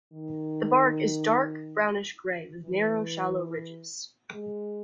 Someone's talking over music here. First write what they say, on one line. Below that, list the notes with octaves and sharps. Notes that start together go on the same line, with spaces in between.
The bark is dark brownish gray with narrow, shallow ridges.
D#3
E3
G#3